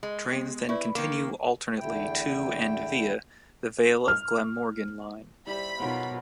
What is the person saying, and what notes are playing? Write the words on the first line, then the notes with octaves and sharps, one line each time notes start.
Trains then continue alternately to and via the Vale of Glamorgan Line.
G#3
B3 G4
E4 B4 D5 C#6
D#3 A#3
E2 D3 A3 E4 G5
F6
G3 E4 C5 B5
B2 F#3 D#4 F4 A#4